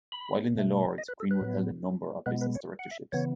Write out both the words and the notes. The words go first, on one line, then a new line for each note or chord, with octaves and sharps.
While in the Lords, Greenwood held a number of business directorships.
B5
B2 A3
D#5
B4
A4
B4
A2 F#3 B3
B2 G#3 B3 B4
B4
C#5
F#5
E5
C#3 E3 B3 C#5